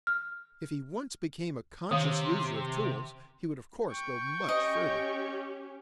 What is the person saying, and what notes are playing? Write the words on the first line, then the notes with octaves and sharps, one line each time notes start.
If he once became a conscious user of tools he would of course go much further.
F6
C3 D#3 F5
G5 C#6
C#4 G4 D#5